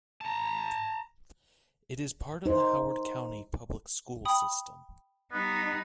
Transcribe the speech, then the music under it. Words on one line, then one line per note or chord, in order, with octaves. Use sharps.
It is part of the Howard County Public School System.
A5 A#5
D#4 C5
G5 B5 D#6
G3 B3 D#4